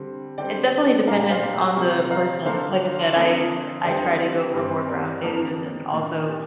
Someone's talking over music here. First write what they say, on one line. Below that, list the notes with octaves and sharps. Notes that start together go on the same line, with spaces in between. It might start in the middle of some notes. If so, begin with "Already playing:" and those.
It's definitely dependent on the person. Like, I said, I I try to go for more Ground News, and also,
Already playing: D3 G3 C4
D3 G3 C4 D5 G5
A#2 G3 A#3 D4 F5 A#5
D5 G5
C5 F5
C3 G3 A#3
F5 A#5
D3 A#3 D4 C5 F5
F2 D3 A#3
F2 D3 G3 C4 D5 G5
G2 G3 C4
A#4 D5
F2 D3 F3 A#3
A#2 A#3 D4
G4